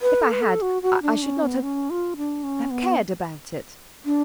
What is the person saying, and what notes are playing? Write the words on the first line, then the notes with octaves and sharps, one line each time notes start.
If I had, I should not have,--have cared about it.
B4
A4
B4
A4
F#4
F#4
D4
C#4
B3
C#4
F4
D4
C#4
B3
D4